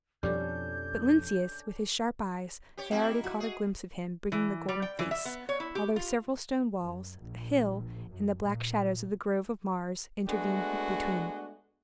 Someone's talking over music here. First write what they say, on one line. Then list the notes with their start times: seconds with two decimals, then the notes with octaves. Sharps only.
But Lynceus, with his sharp eyes, had already caught a glimpse of him, bringing the Golden Fleece, although several stone walls, a hill, and the black shadows of the Grove of Mars, intervened between.
0.23 F2 B2 F3 G3 C#4 D4 A4 G6
2.77 G4 C#5
2.91 A#3 C4 D#4 E4
3.23 F#4 F#5
3.40 G#4
4.32 E3
4.68 G3
4.82 G5
4.99 E3
5.11 E5
5.25 B3
5.49 C#5
5.60 E4
5.75 G4
5.96 F4
6.82 F#2
7.17 A#1
8.10 F#2
8.42 A#2
10.28 G#3 A3 B3 D4 F#4